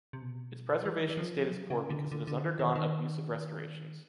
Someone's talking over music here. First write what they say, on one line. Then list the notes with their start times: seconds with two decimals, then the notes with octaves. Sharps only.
Its preservation state is poor because it has undergone abusive restorations.
0.13 C3
0.22 B2
0.85 E3
1.09 E3
1.17 F3
1.49 F#3
1.70 C#3
1.90 D3
2.12 D3
2.27 D3
2.43 D#3
2.59 D#3
2.75 D#3